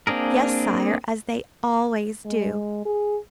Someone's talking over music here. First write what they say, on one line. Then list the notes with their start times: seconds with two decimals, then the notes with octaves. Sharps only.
"Yes, sire, as they always do."
0.07 A#3 C4 D4 G#4 A#4
2.25 G#3
2.85 G#4